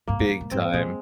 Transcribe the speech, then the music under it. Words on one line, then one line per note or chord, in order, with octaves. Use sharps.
Big time,
G#2 A#3
G2
G2
G#2
G#2 C4
A#2 G#3